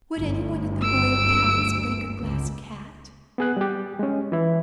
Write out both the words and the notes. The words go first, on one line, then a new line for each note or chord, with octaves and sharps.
"Would anyone at the royal palace break a Glass Cat?"
G1 D2
E6 D7
C#2
B3 G#4 F#6
G3 G4
G#3 C#4
E3 E4